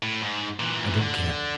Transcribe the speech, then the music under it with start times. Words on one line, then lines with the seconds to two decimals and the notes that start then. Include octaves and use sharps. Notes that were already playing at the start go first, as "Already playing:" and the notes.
I don't care.
0.03 A2
0.21 G#2
0.60 A#2 E3
1.01 D3